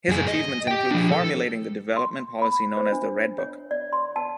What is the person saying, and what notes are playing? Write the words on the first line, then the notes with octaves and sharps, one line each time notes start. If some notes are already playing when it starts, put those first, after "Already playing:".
His achievements include formulating the development policy known as the Red Book.
F#2 G#4
D#5
G4 G5
F3 D4
A4
C6
B5
C5
D4
C#5
D5
C6
A5